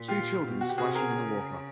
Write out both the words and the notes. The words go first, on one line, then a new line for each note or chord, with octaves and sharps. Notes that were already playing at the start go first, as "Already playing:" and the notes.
Two children splashing in the water.
Already playing: A#2
F4 G4
B2
F#4
G4
C3 F#4 G#4
G#4 A#4
C#3